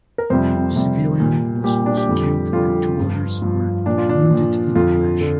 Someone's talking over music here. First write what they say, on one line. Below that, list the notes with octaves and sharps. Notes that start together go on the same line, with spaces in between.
One civilian was also killed and two others were wounded in the clash.
A#4
F2 C3 G3 C5
F2 C3 G3
A#2 G3
A#2 G3 G4
D4
G4
F2 D3 G3
F2 D3 G3 F4
G2 F3
G2 F3
A#2 F3 D4
F4
D4
A#2 F3
F2 D3 F3 F4
D3 F3